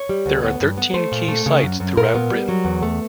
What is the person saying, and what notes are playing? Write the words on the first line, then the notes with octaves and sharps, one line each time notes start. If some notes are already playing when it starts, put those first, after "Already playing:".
There are thirteen key sites throughout Britain.
Already playing: C#5
G3
D2
B3
G2
B3
A3 C5
A#2
A3
C#3
F#2
F#2
A#2 A#4
B3
G3
F#3
E2
A3